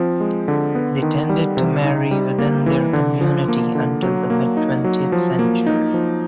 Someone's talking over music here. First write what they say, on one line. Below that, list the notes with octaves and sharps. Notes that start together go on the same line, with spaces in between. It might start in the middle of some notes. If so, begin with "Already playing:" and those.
They tended to marry within their community until the mid-twentieth century.
Already playing: F3 C4
G#3
D3
B3
D#3
G3
C3
D#4
G3
A#3
E3
D3
F3
A#3
D3
F#3
A#3
D#4
F#3
F3
A#3
D#4
F3